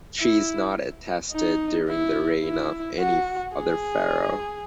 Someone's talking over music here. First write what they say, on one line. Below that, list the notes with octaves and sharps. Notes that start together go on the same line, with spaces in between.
She is not attested during the reign of any other pharaoh.
E4
D#4
E4
E4
F#4
G#4